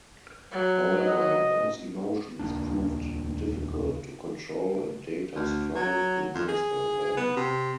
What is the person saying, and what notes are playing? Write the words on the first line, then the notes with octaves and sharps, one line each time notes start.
However, those emotions proved difficult to control and Data struggled to master them.
F#3
D#5
D#1 C#2 A#3 D4
D2
F#3
F2
G#4
B3
C3